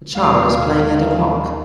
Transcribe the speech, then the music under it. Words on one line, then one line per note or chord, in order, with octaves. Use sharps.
A child is playing at a park.
D#2 D#3 G#3 F5
D#2 D#3 G#3